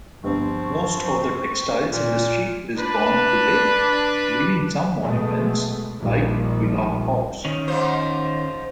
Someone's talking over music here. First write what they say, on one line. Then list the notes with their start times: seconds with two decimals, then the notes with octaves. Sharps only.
Most of the textiles industry is gone today, leaving some monuments, like Villa Haux.
0.24 G1 F3 C4 C#6
1.89 A#2
2.78 D4 B4
5.03 B2 G#3 A3
5.99 A#1 A#2 D#3 F3 G3
7.45 D#3 C#4
7.68 G#2 F3 C5